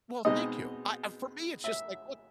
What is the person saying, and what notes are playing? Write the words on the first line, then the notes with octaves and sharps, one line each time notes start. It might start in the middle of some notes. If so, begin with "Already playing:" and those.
Well, thank you. I, uh, for me, it's just like, look
B2 G#3 C4 D#4 D#5
E5